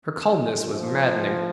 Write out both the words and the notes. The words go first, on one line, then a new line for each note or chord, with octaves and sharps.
Her calmness was maddening.
F3